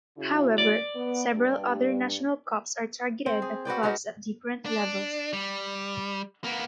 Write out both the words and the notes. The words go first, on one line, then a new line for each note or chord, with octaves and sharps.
However, several other national cups are targeted at clubs at different levels.
C#3 E4 F#4
D5
B3
G2
C4
G#4
F#4 B4 D5 G5
G#3 C#4 D#4 F#4
D4
G3
A#3 B3